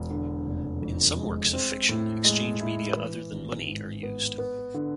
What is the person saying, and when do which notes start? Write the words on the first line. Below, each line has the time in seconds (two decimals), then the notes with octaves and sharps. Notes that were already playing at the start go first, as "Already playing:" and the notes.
In some works of fiction, exchange media other than money are used.
Already playing: E1
0.11 D3
0.46 F1
0.82 F2
1.17 G#3
1.53 C4
1.89 A2
2.24 G#3
2.60 E4
2.96 E3
3.32 G#1
3.67 G#2
4.03 B3
4.38 B3
4.74 D3